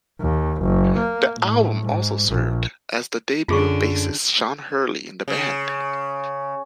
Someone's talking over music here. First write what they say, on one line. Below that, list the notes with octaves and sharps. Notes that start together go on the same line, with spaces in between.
The album also served as the debut of bassist Sean Hurley in the band.
D#2
F#1
A#3
A2
G#2
A#1
F#2 D3 C#4 D4 F4 G#4 C#6
C#3